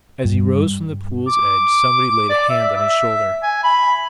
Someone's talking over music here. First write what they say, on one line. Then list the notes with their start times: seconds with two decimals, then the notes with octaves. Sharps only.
As he rose from the pool's edge, somebody laid a hand on his shoulder.
0.25 G2
1.28 D6
2.30 D5
2.50 E5
2.76 E5
3.43 G#5
3.63 B5